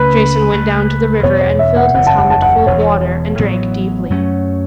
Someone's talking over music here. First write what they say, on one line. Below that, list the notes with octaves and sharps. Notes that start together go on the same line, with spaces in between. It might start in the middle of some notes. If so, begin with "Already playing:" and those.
Jason went down to the river and filled his helmet full of water and drank deeply.
Already playing: C#2 C#3 A3 C#4 B4
C#2 C#3 A3
E2 B2 B3 C#5
C#5
E5
F#5
F#1 E2 C#3 F#5
A5
F#5
A5
F#5
E1 E2 B2 C#5
A1 A2 F#3 B3
F#2 F#3 A3 C#4